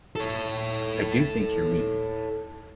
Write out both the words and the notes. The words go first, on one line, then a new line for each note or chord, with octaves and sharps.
I do think you’re mean.
A4 C#5